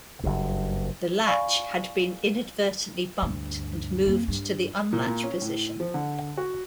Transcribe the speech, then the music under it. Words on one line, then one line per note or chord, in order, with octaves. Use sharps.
The latch had been inadvertently bumped and moved to the unlatch position.
F#1 G2
D5 F5 G#5 B5 C#6
D2 G2
F2 A#3
G2
A#2
A#2
C#4
A2
F3
D3
F#4